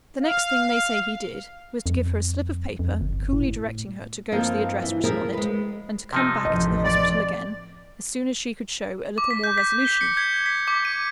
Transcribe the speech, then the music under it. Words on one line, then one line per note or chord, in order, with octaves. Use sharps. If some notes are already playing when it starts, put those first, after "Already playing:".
The next thing they say he did, was to give her a slip of paper, coolly directing her to go to the address written on it, and to come back to the hospital again, as soon as she could show a little more resolution.
F5
F2
F2
G1
A2
G2 F3 A#3 C4 D#4
E3
F3 G4 G#4 A#4 E5
G#3 B4
C3 F3 D#4
A1 F2 D#5
D5
D6
B6
G6
B6
G7
C#7
G#6
B6
D6
D#7